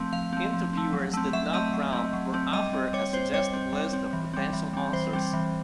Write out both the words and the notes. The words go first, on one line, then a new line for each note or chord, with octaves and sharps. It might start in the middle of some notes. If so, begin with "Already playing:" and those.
Interviewers did not prompt or offer a suggested list of potential answers.
Already playing: F3 A3 C4
F3 F5
A3 C4
F3
A3 C4
F#3
A3 C4
F#3 E5
A3 C4 D#5
F#3
A3 C4
F#3
A3 C4
G3 D#5
C4
G3 C#5
C4 C5
G3 C#5
C4
G3
C4
E3
G3 C4
E3
G3 C4
E3 C5
G3 C4
E3